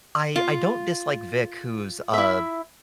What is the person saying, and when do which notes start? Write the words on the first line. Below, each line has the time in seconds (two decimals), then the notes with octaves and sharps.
I I don't dislike Vic who's, uh,
0.36 F4
2.13 E4 E5